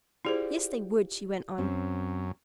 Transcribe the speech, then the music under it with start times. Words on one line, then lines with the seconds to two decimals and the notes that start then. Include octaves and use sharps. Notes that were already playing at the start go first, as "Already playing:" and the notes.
"Yes, they would," she went on.
0.25 E4 F4 G4 G#4 C5 D5
1.58 F#2 C4 C#4